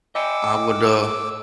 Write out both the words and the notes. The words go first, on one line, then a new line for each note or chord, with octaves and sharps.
I would, uh,
D#5 G5 G#5 D6 E6